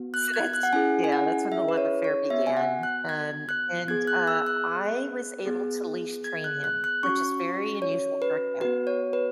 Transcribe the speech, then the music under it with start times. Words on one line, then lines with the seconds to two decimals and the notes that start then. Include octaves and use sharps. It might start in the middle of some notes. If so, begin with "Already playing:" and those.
So that's Yeah, that's when the love affair began, and and, uh, I was able to leash train him, which is very unusual for a cat.
Already playing: B3 F#4
0.14 F#6
0.34 G#6
0.54 F#6
0.63 F#5
0.73 C#4 E4 G#4 G#5
1.04 G#5
1.12 F#5
1.52 E5
1.68 B4
1.78 C#5
2.04 C#5
2.30 B3 F#4 E5
2.47 G#5
2.57 F#5
2.83 F#6
3.09 G#6
3.49 F#6
3.88 B3 G#4 G#6
4.07 F#6
4.27 E6
4.47 F#6
5.46 B3 G#4
6.24 G#6
6.44 F#6
6.64 F#6
6.84 F#6
7.03 C#4 F#4 C#6
7.82 C#5
8.22 B4
8.61 B3 F#4 B4
8.87 C#5
9.13 B4